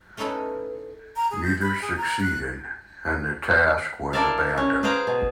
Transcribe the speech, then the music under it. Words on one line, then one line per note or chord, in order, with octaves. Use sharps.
Neither succeeded, and the task was abandoned.
A3 C#4 D#4 E4 A4 B4
A#5
G#4
G6
B5
G#4
A#5
F#6
D4 E4 A#4 D5 E5 F5
C#4
G#4 B4 C5 F5 G5 A#5
B2